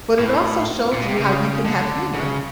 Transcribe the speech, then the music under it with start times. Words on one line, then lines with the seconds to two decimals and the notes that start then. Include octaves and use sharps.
but it also showed you how you can have humor
0.19 A2
0.93 A#2
1.01 B2
1.08 C3
1.17 C#3
1.65 D3
2.14 C#3